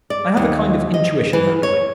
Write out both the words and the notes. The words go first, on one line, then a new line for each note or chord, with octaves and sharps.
I have a kind of intuition that way.
D5
D#2
D#5
E3
C#5